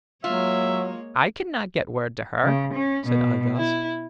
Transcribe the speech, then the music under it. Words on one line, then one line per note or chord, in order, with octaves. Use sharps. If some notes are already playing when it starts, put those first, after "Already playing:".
"I cannot get word to her," said I-Gos.
F#3 G#3 A#3 F4 C#5 E5
C#3
C#4
B2
E4